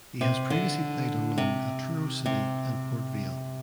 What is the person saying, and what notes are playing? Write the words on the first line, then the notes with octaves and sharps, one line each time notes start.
He has previously played on loan at Truro City and Port Vale.
C3
D3
C3
C3